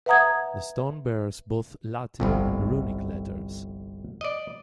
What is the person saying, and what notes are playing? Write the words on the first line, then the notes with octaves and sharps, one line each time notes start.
The stone bears both Latin and Runic letters.
B4 E5 F#5 A#5 D#6 G#6
G1 C2 F2
D5 D#5